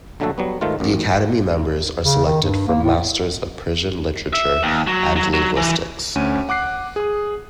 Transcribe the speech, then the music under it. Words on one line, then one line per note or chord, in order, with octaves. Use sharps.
The academy members are selected from masters of Persian literature and linguistics.
A#1 D3 F#3 A3 F#4 A4
F#3 G3 B3
G#2 D#3 A3 F4
A1 F#2
C#3
D#3
G2
A#3
A2
E5
D#2
F#3
F#3
F#3
E3
D2 C#4 D#7
F#5 D6 F#6 C7
G#4 D#6